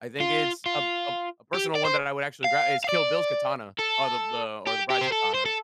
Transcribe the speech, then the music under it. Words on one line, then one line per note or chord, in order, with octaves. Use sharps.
I think it's a p a p a personal one that I would actually gra is Kill Bill's katana or the the or the bride's katana.
F4
F4
G4
D5
C5
F5
F5
D5
A4
G4
G4
C5
A4
C5
A4